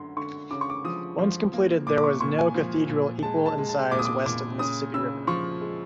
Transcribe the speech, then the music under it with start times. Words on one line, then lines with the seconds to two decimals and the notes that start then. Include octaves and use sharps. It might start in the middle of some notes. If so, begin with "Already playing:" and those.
Once completed, there was no cathedral equal in size west of the Mississippi River.
Already playing: F#2 D3 C6
0.17 D3 C#6
0.51 C#3 D6
0.61 C#6
0.70 D6
0.84 F3 D#6
1.18 F3
1.54 A#3
1.87 A#2 D6
1.97 D6
2.04 C#6
2.21 A#2 C#6
2.39 G#5
2.55 F3
2.89 A#2
3.23 G#3 A5
3.46 A5
3.58 G#3
3.69 A5
3.91 A#2 D6
3.99 D#6
4.05 D6
4.26 A#2 D6
4.59 C#3 D#6
4.94 C#3 E6
5.27 F3 C#6
5.61 G#3